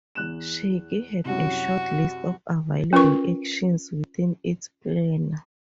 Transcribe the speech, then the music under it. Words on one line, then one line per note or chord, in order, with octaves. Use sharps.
Shakey had a short list of available actions within its planner.
E2 F#6 E7
C2 F#2 F#4
C#4 F4 A#4 B4 C#6